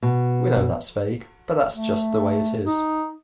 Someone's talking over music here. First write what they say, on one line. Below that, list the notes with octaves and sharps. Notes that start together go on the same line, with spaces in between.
We know that's vague, but that's just the way it is.
B2
A3
D#4